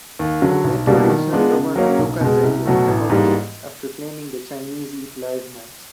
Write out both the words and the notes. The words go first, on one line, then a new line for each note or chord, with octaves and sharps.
Veneto regional governor Luca Zaia apologized after claiming the Chinese eat live mice.
D#2
D3 F#3
B1
B2 G3 A#3 D4
D#3
G#3 B3 D4 F4
C#3
F#3 A#3 C#4
B1
B2 G#3
C2
B2 F#3 A3
A1
G#2 E3 G3 A#3